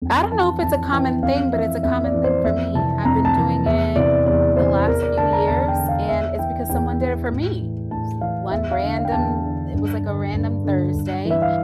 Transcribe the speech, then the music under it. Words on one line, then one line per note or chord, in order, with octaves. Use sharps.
I don't know if it's a common thing, but it's a common thing for me. I've been doing it the last few years and it's because someone did it for me. It was one random it was, like, a random Thursday
F2
E3 A5
F2 A5
E3 G5
F2 F5
E3 E5
F2 E5
D5
E3
C5
F2 E5
C3 E3 A5
F2 A#5
A5
C3 E3
E2 E5
C3 E3 D5
E2 D5
C3 E3 C5
E2 A#4
D5
D3 A5
A#5
E2 A5
G5
D3
F5
E2 E5
E3 G5
E2 G5
E3
A2
E3
A2 A5
E3 F5
E2 E5
F5
D3
F5
G5
E2 A5
D3
G2
D3
G2
D3
G2
E3
E5
F5